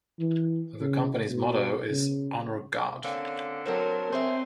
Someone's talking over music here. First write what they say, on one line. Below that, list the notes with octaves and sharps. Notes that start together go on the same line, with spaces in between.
The Company's motto is "Honour God".
E3
C#3
B2
C#3
D3 A#3 C4 C#4
F#3 C4 D4 A#4 C5
C4 G#4 C5 C#5 E5